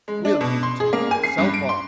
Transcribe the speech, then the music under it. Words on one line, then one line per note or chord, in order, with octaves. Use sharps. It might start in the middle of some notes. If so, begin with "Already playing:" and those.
"Will you take yourself off!"
G#3
D4
B2
C6
G#4
A#3
G#5
C7
G2
D7
C6